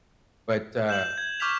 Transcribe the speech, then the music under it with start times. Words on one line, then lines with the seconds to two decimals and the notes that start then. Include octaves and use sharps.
But, uh
0.89 G6 E7 F#7
1.18 G#6
1.40 C#6 D6 F6 G6 B6 F7